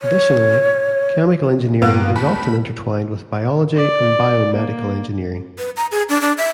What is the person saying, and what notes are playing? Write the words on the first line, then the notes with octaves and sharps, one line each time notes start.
Additionally, chemical engineering is often intertwined with biology and biomedical engineering.
C#5
G2 A#3 B3 B4
D#2 B5
D5
A#3
B4
A#5
G#4
D4
D4
E5